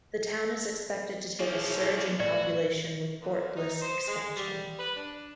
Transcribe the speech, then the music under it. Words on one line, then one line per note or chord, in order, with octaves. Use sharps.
The town is expected to take a surge in population with Fort Bliss expansion.
F3 A#3 E4 G#4 C#5
A2 F#4 D5
A#2
D#4
C5
G#3
G3
B4
D4